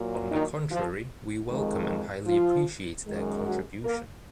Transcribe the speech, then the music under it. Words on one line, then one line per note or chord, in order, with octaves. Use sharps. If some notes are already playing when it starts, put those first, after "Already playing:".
On the contrary, we welcome and highly appreciate their contribution.
Already playing: A#2 F#3
D#3 D#4
F3 F4
F2 D#3 G#3
F3 F4
F#2 D#3 G#3
F#3 F#4
A#3 A#4